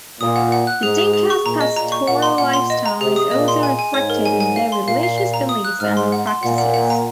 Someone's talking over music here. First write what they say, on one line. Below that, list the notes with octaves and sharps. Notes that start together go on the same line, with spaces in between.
The Dinkas' pastoral lifestyle is also reflected in their religious beliefs and practices.
A#2 D#6
F#5
F#5
F#6
G#2 G#4
G#4
G#4
C#6
A#2 A#5
D#5
A#2 A#5
C#6
A#2 F#5
C6
A#2 F#5
C6
D#5
A#5
C3 G#4
D#6
A#2 D#5
C6
G#5
G#5
G#2 C#5
A#4
G#5
G#5
F5
C6
A#2 F5
F5
F5
A#5
D#6
F#6
G#2 F6
C6
F#5
C6
A#2 F#5
F#5
F#5
A#5